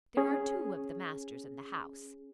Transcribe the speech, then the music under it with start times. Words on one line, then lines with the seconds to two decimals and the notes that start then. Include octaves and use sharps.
There are two of the masters in the House.
0.17 C#4 G#4